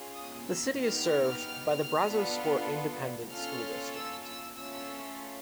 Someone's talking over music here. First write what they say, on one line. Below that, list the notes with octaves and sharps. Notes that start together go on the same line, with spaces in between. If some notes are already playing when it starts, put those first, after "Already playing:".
The city is served by the Brazosport Independent School District.
Already playing: C#4 F4 G#4
D#6
E6
B3 D#4 G4 F6
B3 D4 F4 A4
C#4 F4 A4 F6
E6
E6
A3 C#4 F4 E6